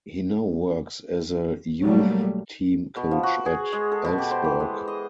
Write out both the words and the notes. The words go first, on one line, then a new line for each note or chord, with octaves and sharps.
He now works as a youth team coach at Elfsborg.
B1 F#3 G3 A3 A#3
B2
F3
F#4
G#4
G#3
A4
B2
G4
C5
E3
G#3
D#5